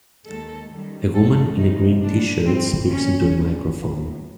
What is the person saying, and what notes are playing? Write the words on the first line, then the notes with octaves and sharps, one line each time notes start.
A woman in a green tshirt speaks into a microphone.
D#2 D#3 G#3 A4
F#2 D#3 G3
F2 D3 F3 G#3 A4
F2 C3 E3 G#3 D#4
D#2 D3 G3 D4
G#2 E3 G3 C4
A#2 G3 C#4
D#2 D3 G3
A2 F#3